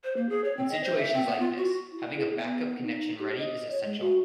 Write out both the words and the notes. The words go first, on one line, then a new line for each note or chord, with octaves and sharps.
In situations like this, having a backup connection ready is essential.
C5
A#3
G#4
C#5
C4
D#5
C5
E5
C4
B3
F4
F#4
E4
G#4
B3
D#4
G4
D#5
C#5
G#3
F#4